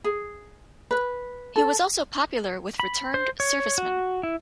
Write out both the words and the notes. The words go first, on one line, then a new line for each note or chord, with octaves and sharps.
He was also popular with returned servicemen.
G#4
B4
A4
B5
C5
C#5
F#4
E4